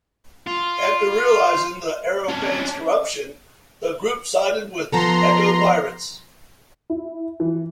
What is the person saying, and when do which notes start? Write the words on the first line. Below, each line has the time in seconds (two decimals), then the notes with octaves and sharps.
After realizing the Aeropan's corruption, the group sided with the Eco Pirates.
0.47 F4
2.29 C#4 D4
4.92 F3 B3 A4 A#5 C6
6.90 E4
7.40 E3